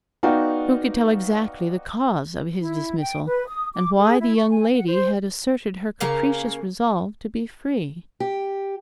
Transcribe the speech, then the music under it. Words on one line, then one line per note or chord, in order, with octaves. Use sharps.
Who could tell exactly the cause of his dismissal, and why the young lady had asserted her capricious resolve to be free?
B3 D#4 F#4 D5 F5 G5
E4
G5
B4
D#6
D6
G#4
E4
C#6
G#5
F#5
C5
C#3 A#3 A#5
G4